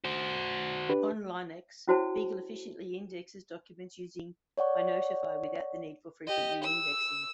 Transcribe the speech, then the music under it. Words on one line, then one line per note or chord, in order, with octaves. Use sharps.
On Linux, Beagle efficiently indexes documents using inotify without the need for frequent reindexing.
F#4 C5
D4 G4 B4
C#4 E4 F#4 C5 C#5 A5
C#5 D5 F#5 C#6
G4 D#5
E6